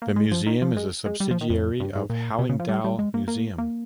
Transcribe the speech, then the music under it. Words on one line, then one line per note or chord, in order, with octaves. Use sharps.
The museum is a subsidiary of Hallingdal Museum.
A#3
G#3
F3
D#3
F3
G#3
G#3
G3
F3
D#3
F2
G2
G#2
A#2
C3
C#3
F3
G3
G3
G#3
A#3
A#3
A#3